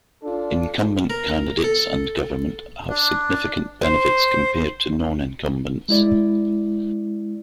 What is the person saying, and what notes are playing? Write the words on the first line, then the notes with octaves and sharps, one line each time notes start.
Incumbent candidates and government have significant benefits compared to non-incumbents.
D4 F4 A4
A#4
A4
D4
C5
G#3 E4 D5